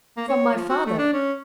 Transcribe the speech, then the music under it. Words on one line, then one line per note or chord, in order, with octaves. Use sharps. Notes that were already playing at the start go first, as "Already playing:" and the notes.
"From my father?"
A#3
C#5
F3
F#4
A3
D4
C#4